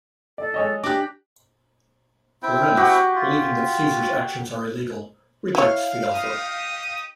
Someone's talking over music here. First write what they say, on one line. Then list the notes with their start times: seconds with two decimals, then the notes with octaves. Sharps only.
Vorenus, believing that Caesar's actions are illegal, rejects the offer.
0.38 A4 D5
0.54 G#3 C#5 D#5
0.84 D4 G4 D6 F#6 A#6
2.43 C4 E4 G5
2.77 F#4 G4
3.15 F4
5.55 E4 C#5 F5
6.14 D#4 G4 D#6